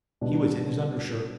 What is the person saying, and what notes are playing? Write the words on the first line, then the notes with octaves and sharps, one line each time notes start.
He was in his undershirt.
B2 G3 D4